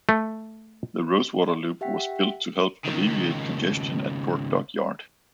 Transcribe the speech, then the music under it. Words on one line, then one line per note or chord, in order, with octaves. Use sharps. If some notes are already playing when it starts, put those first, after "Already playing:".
The Rosewater Loop was built to help alleviate congestion at Port Dock yard.
A3
G4 E5 F#5 G5 B6
C#2 D#3